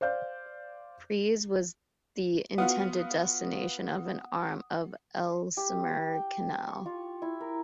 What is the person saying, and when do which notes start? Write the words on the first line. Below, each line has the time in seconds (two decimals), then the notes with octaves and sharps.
Prees was the intended destination of an arm of the Ellesmere Canal.
0.01 C5 D5 F5 G6
2.58 B3 F4 F#4 F#5 D#6
5.57 G4
6.14 G5
6.68 C#6
6.86 F4
7.22 E4
7.40 A#4